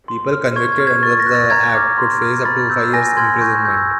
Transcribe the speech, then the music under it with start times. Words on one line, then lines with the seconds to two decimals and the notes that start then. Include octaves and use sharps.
People convicted under the act could face up to five years imprisonment.
0.08 C6
0.33 F6
0.56 C#6 G#6
0.72 G#6
0.80 F6
0.87 G#6
1.03 C#6 A6
1.20 A#6
1.26 F#6
1.35 A6
1.50 A#5 G#6
1.75 D6 F6
1.98 C6
2.22 F6
2.45 B5 A6
2.70 E6 G6
2.93 G#5 A#6
3.17 C6 F6 G#6
3.41 C#6 G6
3.65 E6 G6